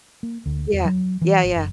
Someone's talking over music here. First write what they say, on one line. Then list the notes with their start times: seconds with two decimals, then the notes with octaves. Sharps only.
Yeah. Yeah, yeah.
0.23 A#3
0.46 D2
0.73 E2
0.85 F#3
1.22 E3
1.43 G#1
1.56 F#1